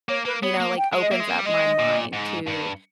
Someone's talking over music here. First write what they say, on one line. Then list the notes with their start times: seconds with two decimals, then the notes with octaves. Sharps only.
you know, like, opens up my mind to
0.09 A#3 C#5
0.25 A#3 B4
0.42 B3 C#5
0.60 A#3
0.77 G5
0.93 G#3
1.01 D#5
1.11 A#3 E5
1.20 G#3
1.30 A#3
1.39 G3
1.46 G#3 D#5
1.80 A#2
2.14 G#2
2.47 G2